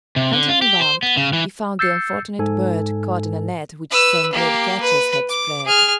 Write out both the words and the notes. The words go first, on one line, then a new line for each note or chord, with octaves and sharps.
Hunting about, he found the unfortunate bird caught in a net which some birdcatchers had spread.
C3
D3
F4
G4
C5
B3
C#3
E3
E6 G6 A6 C7 C#7
G#2 A4 G#5
B4 E6
A#3 G4
B4
D6
G#4 F6